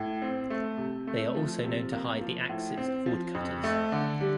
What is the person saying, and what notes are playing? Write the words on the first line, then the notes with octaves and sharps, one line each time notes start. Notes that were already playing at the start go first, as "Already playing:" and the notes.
They are also known to hide the axes of woodcutters.
Already playing: A2
C4
A3
C3
A3
F3
C3
A#3
F3
A2
C4
F3
F2
A3
D3
G3